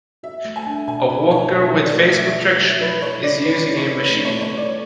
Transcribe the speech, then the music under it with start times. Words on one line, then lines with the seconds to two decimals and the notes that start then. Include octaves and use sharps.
A worker with face protection is using a machine.
0.23 F#4 E5
0.45 A3
0.56 G#5
0.67 D4
0.88 B2 G#5
1.09 B2 B4
1.31 B2 C#5
1.52 B2 E5
1.74 F#3
1.84 D5
1.95 A3
2.16 F#3 E5
2.37 F#3
2.60 A3
2.80 E4 B4
3.02 E4 C#5
3.23 C#4 D5
3.45 C#4 B4
3.66 E4
3.77 C#5
3.88 B4
4.09 A3
4.25 A3 C#5
4.41 C#5
4.53 A3 D5